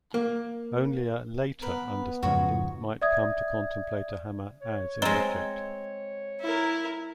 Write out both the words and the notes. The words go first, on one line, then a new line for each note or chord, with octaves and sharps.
Only a "later" understanding might come to contemplate a hammer "as" an object.
A#3
B3 A#4 B4
F2 G#2 C#3 F#4 C#5 C#6
D5 E5 D#6 G#6
C#5
G#3 C4 C5 D#5 A#5
E4 A#4